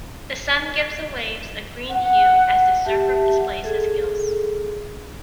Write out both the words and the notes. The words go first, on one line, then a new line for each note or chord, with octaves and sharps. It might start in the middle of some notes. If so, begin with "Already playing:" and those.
The sun gives the waves a green hue as this surfer displays his skills.
F#5
G4 E5 F#5 A5
G#4 A4